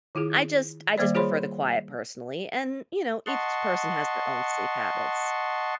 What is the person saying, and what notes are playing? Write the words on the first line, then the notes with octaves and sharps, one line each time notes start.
I just I just prefer the quiet personally, and, you know, each person has their own sleep habits.
D#3 E4 F4 G#4
D#3 G3 A#3 C5 D5
F4 G#4 C5 C#5 B5 C6
D#5 F#5 A5 C6 C#6